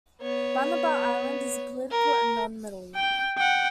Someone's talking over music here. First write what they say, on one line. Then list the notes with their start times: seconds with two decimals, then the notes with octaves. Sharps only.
Banaba Island is a political anomaly.
0.22 B3 C#5
1.91 A#4
2.95 G5 G6
3.38 F#5 G5